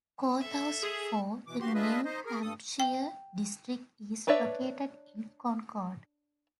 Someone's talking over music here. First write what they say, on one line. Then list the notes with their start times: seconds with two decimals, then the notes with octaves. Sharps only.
Courthouse for the New Hampshire district is located in Concord.
0.40 A4 E5
0.83 G#4
1.47 B2 E3 D6
1.60 G2 F#4 G4 C6
1.74 D4 F4 G#4 B4 D#5 E5
2.05 D#4 C5 D#5
2.25 G#4 A#4
2.42 G2 A4 D#6
2.80 G5
4.27 D4 B4 C#5 D5 E5